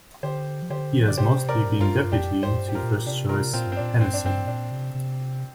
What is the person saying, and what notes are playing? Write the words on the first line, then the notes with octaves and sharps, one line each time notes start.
He has mostly been deputy to first-choice Hennessey.
D3 G4 C5
F3
D3 G4 C5
F3
D3 D5
C3 G4 C5
A#4 D5
G2
A#2
G2 F4 A#4
G2
F2 D4 G4
G2
G4 C5
F2
G2
G4
F4 A#4
A#2
C3 D4 G4
F4 A#4
A#2 C4 F4
G2
C4
A#2 D4
G2 C4
D4
G2 C4
A#2 D4
C3
C3